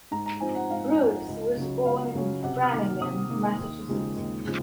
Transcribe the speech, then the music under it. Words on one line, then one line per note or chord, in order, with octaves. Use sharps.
Brooks was born in Framingham, Massachusetts.
G#2 A#5
A#5
F3 C4 D#4 G#5
F#5
G#2 F5
F3 C4 D#4
C#2
C#3 F#3 C#4
C#2 F5
C#3 F#3 C#4
C3 F#5
F6
D#3 A#3
C3 D#6
D#3 A#3
D#2
C#3 F3 G#3 D#4
D#2
C#3 F3 G#3